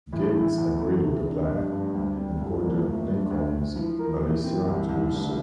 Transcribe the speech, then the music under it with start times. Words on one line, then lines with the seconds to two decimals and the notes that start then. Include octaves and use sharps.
Gates agreed with the plan, and ordered Lincoln's militia to do so.
0.12 A2 E3
0.36 E4
0.58 E2
0.81 A3
1.04 C3
1.27 D4
1.49 G2 F3
1.72 G2
1.83 A3
1.94 D2 G3
2.17 C4
2.40 C2
2.62 A#3
2.85 F2 A3
3.08 D4
3.31 D2
3.53 D2
3.76 E3 F3
3.99 A#4
4.21 A#2 E3
4.44 C4
4.67 C2
4.89 C2
5.12 F1 D3